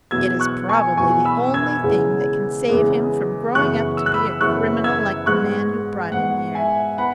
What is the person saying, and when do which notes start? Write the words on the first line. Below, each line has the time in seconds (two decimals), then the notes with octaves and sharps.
It is probably the only thing that can save him from growing up to be a criminal like the man who brought him here.
0.11 E2 B2 F#3 B3 E6 G#6
0.40 C#6 F#6
0.69 G#5 C#6
0.97 E2 B2 F#3 B3 G#5 C#6
1.25 B5 E6
1.54 E6 G#6
1.84 E2 C#3 G#3 B3
2.69 E2 C#3 G#3 B3
3.55 F#2 C#3 E3 B3 C#6 F#6
3.97 E6
4.06 F#6
4.14 B5 E6
4.41 F#2 C#3 E3 B3 C#6 F#6
4.84 E6 G#6
5.26 G#2 G#3 B3 C#6 F#6
6.12 G#2 G#3 B3 F#5
6.55 E5 G#5
6.98 B3 F#5 B5